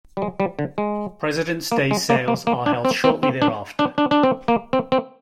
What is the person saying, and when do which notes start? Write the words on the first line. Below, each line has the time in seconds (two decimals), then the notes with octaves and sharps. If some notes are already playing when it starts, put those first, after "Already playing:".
Presidents' Day sales are held shortly thereafter.
0.17 G3
0.22 G#3
0.40 G3
0.59 D3
0.78 G#3
1.72 A#3
1.91 G#3
2.10 A#3
2.28 A#3
2.47 A#3
2.66 D4
2.85 C4
3.04 C4
3.23 C4
3.42 D4
3.79 D4
3.98 D4
4.11 D4
4.23 C4
4.48 A#3
4.73 C4
4.92 C4